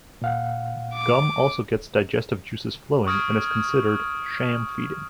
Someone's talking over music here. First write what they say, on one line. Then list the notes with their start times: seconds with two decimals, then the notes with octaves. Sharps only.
Gum also gets digestive juices flowing and is considered "sham feeding".
0.22 A#2 F5 F#5
0.94 D6
3.07 C#6 D#6 F6 G#6 D7